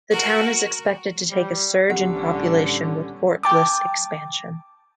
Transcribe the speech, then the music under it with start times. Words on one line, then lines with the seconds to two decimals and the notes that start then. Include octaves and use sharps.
The town is expected to take a surge in population with Fort Bliss expansion.
0.10 F#4 A#4
1.30 G3
1.90 A1 D3 G3 B3 C#4 G4 F#5
3.43 G5 A5 D6